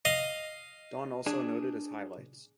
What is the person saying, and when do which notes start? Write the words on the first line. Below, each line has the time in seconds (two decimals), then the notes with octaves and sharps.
Dawn also noted as highlights.
0.05 D#5 F5
1.26 D4 G#4